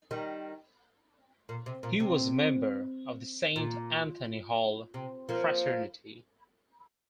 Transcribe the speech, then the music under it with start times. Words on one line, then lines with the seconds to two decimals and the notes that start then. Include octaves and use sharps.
He was a member of the Saint Anthony Hall fraternity.
0.11 D#3 G3
1.49 A#2
1.66 C3
1.83 A#2
2.00 C3
3.56 A#2
4.94 C3
5.29 F3 A#3